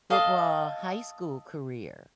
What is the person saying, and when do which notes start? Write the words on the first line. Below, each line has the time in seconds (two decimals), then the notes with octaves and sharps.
football high school career?
0.10 A4 D#5 F5